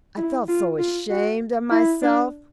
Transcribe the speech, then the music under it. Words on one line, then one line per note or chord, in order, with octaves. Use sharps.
I felt so ashamed of myself.
E4
F4
F4
F#4
E4
D4